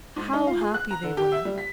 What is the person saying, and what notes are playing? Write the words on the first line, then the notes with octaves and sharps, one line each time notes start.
How happy they were!
G#2
D#4
F4
G#4
F#6
A#5
D3
G4
E5
G3
B6